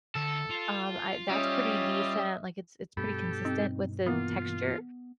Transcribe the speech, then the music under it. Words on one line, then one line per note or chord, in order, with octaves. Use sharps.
um, I that's pretty decent, like, it's it's pretty consistent with the texture,
D2 A4
F4
G3 C#4 D#5 E5
G2 B2 G4 A4 B5
C4 D#4
E3 A#3 B3 F4